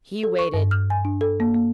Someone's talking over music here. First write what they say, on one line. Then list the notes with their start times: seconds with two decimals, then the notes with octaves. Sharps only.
He waited.
0.23 A4
0.39 C#6
0.54 G2
0.71 F6
0.90 G#5
1.05 D4
1.21 A4
1.40 A#3
1.55 A#3